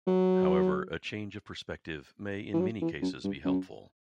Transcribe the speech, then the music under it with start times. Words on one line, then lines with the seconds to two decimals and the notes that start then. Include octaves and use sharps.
However, a change of perspective may in many cases be helpful.
0.07 F#3
2.54 E3
2.60 F#3
2.82 E3
3.02 F#2
3.24 G2
3.45 F#2